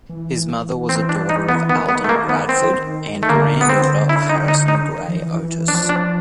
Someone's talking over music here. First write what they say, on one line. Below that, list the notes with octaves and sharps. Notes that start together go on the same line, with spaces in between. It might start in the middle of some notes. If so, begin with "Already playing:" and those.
His mother was a daughter of Alden Bradford and granddaughter of Harrison Gray Otis.
E3
C4
D4
D#4
B3
D#3 B3
B3
A3
A#3
B3
C4
A3
D3 A#3
B3
C4
E4
D#4
D#4
D#4
D#3
F3
E3
E3
F3 D4
D4